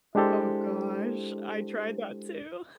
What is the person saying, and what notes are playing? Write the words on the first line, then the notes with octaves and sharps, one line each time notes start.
O oh gosh. I tried that too.
G#3 D4 E4 G4 A4 C5